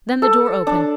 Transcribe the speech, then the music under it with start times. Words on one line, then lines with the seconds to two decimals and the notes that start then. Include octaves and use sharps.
Then the door opened.
0.22 A4
0.67 D4